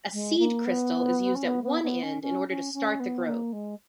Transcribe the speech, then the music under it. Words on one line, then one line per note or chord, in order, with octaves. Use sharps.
A seed crystal is used at one end in order to start the growth.
G#3
A#3
B3
C#4
B3
B3
B3
C#4
C#4
C#4
C#4
B3
A#3
G#3